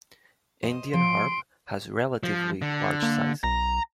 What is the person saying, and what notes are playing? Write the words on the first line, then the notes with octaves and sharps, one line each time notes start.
Andean harp has relatively large size.
C5 D#5
F3 C6 D7
F3
D3
A#3
B1 A#5